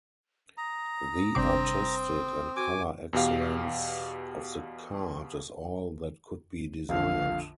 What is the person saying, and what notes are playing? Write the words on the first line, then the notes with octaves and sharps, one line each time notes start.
The artistic and color excellence of the card is all that could be desired.
A#5 D#6
G1 C3 C4 D6
F#4 G#5 D6
E2 B2 G4 F5
A#1 F2 D3 F5